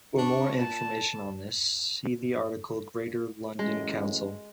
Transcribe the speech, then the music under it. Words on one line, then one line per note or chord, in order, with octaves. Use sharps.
For more information on this see the article, Greater London Council.
D4 C#6
A#2 A5
A1 F#2 G#3